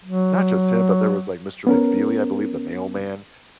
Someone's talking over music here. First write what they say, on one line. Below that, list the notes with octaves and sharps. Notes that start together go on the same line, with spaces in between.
not just him, but there was, like, Mr. McFeely, I believe, the mailman,
F#3
B3 C#4 A#4